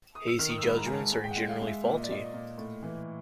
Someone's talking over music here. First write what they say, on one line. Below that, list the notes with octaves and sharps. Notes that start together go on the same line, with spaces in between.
Hasty judgements are generally faulty.
D#6
E6
D#3 F6
D#6
E6
G#2 B5
A#5
G#2 G#5
A5
G#3 G#5
G5
F#5
G#3
F5
G#3
E5
A#2 E5
D#5
D5
A#2 D#5
A#2
A2
E3